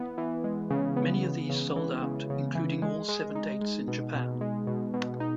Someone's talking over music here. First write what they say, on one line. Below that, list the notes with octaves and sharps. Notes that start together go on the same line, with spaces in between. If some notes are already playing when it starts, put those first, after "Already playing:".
Many of these sold out, including all seven dates in Japan.
Already playing: E3 B3
E3
G#3
C#3
B3
C#3
C#3
E3
C#3
C#3
E3
G#3
G#3
D#4
G#3
B2
B2
G#3
B2
B2
D#4